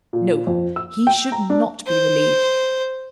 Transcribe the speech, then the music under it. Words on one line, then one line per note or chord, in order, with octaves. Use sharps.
No! he should not be relieved.
A#2
F2
E6
G5
A#5
D4
C5